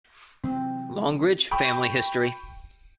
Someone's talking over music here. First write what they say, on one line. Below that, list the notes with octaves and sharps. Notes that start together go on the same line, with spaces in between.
Longridge Family History.
C3 E3 F#3 C4
G5 B5 C#6